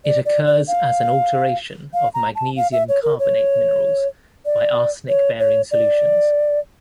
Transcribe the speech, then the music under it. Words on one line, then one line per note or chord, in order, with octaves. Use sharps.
It occurs as an alteration of magnesium carbonate minerals by arsenic bearing solutions.
D5
D5
D5
F5
F5
A#5
A5
F5
E5
C#5
A#4
C#5
D5
C#5
C#5
D5